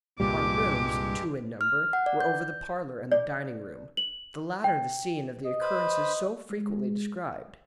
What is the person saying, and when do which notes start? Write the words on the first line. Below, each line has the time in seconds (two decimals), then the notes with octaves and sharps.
Our rooms, two in number, were over the parlor and the dining-room, the latter the scene of the occurrences so frequently described.
0.20 C2 G2 A#2 G3 G#3 G4 D6
1.61 F6
1.93 F#5
2.06 D5
2.21 G6
3.12 D5
3.97 F#7
4.64 G5
5.45 D#5
5.62 B4 C5 B5
6.51 G#3